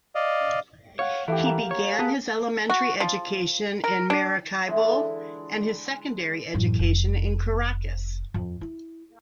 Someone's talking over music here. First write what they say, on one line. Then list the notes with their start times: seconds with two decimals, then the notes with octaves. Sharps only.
He began his elementary education in Maracaibo, and his secondary education in Caracas.
0.15 D5 D#5 F5
0.99 C#5 F5 F#5
1.28 E3 A3 G4
1.46 A#3
1.71 C#5
1.99 B3 G#4 A5
2.70 F#4
3.00 F3
3.84 A#4
4.10 D4
4.67 D3 E3 G#3
6.54 A1 F#2
6.79 F1
8.34 F2
8.61 E4